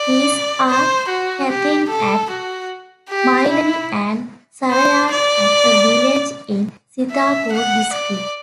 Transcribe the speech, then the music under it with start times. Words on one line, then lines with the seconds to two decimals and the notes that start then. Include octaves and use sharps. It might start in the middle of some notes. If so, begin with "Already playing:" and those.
These are Kathina at Mailani and Sarayan at a village in Sitapur district.
Already playing: D5
0.69 C5
1.08 F#4
1.49 G4
1.89 A4
2.30 F#4
3.09 G4
3.49 E4
4.71 C5
5.11 D5
7.11 E5
7.52 F#5
7.93 D5